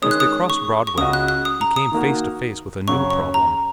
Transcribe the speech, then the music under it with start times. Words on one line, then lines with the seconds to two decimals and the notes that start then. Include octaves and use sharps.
As they crossed Broadway, he came face to face with a new problem.
0.02 D#3 G#3 C#4 D#6
0.11 F#6
0.20 D#6
0.50 C#6
0.87 C#6
0.97 C#2 C#3 G#3 F#4 D#5 D#6
1.13 F#6
1.28 F#6
1.45 D#6
1.61 A#5
1.76 D#6
1.92 D#3 A#3 F#4
2.88 F#2 C#3 F#3 C#4 C#6
3.10 C#6
3.34 A#5